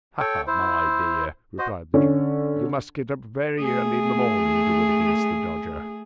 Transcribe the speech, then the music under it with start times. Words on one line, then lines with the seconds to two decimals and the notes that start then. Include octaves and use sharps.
'Ha! ha! my dear,' replied the Jew, 'you must get up very early in the morning, to win against the Dodger.'
0.20 A4 C#5 G5 C#6
0.47 E4 C5
1.58 F#4 C5 D#5
1.94 D3 C#4
3.60 A3 G#4